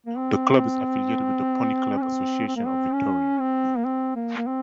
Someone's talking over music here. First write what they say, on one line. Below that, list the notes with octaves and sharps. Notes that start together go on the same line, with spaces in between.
The club is affiliated with the Pony Club Association of Victoria.
A#3
C4
C#4
C4
C4
A#3
C4
C#4
C4
A#3
C4
A#3
A#3
C4